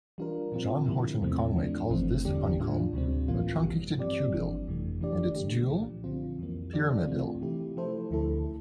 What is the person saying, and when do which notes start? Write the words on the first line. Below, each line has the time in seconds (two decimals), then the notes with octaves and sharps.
John Horton Conway calls this honeycomb a truncated cubille, and its dual pyramidille.
0.18 E3 G3 D4 F4 A#4
0.52 A#2 F3 C4 F4
0.86 G2 D3 G3 A#3 E4
1.21 E2 C3 F3 A3 C4
1.56 F3 A3 D4
1.90 G1 G2 E3 A3 C4
2.25 E2 D3 G3 D4 G4
2.59 A2 G3 D4 F4
2.93 D2 C3 G3 C4
3.28 A1 A2 E3 A#3 F4
3.63 G2 E3 G3
3.98 G2 F3 C4 G4 D5
4.32 G1 G2 E3 G3 D4
4.66 G1 F2 C3 E3 A3
5.01 E3 A3 D4 G4 D5
5.35 D3 F3 A3 D4 G4
5.69 C2 A#2 F3
6.04 D3 F3 C4 F4
6.38 F2 E3 G3 A#3
6.73 E3 G3 D4 G4 D5
7.07 C3 E3 A3 C4 F4
7.42 E3 A3 E4 G4
7.77 F3 A3 E4 A4 C5
8.11 D2 D3 A3 E4 A4